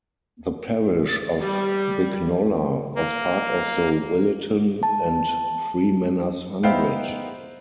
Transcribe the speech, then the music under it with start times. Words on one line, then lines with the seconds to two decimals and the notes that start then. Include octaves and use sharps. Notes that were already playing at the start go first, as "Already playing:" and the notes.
The parish of Bicknoller was part of the Williton and Freemanners Hundred.
1.41 G3
2.95 A#3
4.83 A5
6.63 B3 D#4 C5 E5 F5 G5